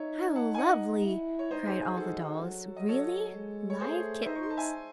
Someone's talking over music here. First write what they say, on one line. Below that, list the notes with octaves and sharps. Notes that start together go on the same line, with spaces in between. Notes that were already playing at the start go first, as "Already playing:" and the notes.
"How lovely!" cried all the dolls, "Really live kittens?"
Already playing: D#4 C#5 E5
F#5 A5
G#5
D#5 F#5
E4
C#5
D#4 C5 D#5
G#4 C5
G#4
D#4 F#4 A4
F#3
D#5
F#3 A4 C#5
G#3
C#5
A3 G#4 C5
E5
D#4 C5 D#5
C#6
C6
A5
E5 G#5